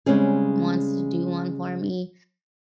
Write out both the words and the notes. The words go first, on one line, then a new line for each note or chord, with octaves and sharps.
wants to do one for me,
C#3 G3 G#3 C4 C#4 G#4